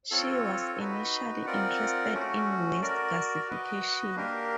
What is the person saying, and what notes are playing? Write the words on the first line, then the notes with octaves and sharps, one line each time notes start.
She was initially interested in waste gasification.
C4 F4 A4 C#5
D#4 F#4 B4
C4 F4 A#4 D5 F#5
A3 C#4 F#4
F#4 A#4 D5
F#4 B4 D#5
A#3 D4 G4 A#4